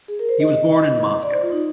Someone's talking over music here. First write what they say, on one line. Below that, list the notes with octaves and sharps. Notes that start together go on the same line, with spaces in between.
He was born in Moscow.
G#4
A#4
C5
D#5
D5
C5
F4
D#4